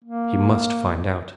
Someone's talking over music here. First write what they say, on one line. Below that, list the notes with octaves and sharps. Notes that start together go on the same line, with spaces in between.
He must find out.
A#3